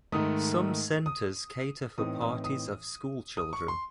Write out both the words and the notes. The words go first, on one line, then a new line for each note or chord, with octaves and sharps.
Some centres cater for parties of school children.
G#2 D#3 A3 D#6
D#6
A2 E3 C4 D#4 D#6
D#6
D#6
D#6
C#6
C6